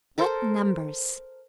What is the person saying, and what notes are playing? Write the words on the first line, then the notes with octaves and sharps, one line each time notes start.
What numbers!
A4 A#4 C5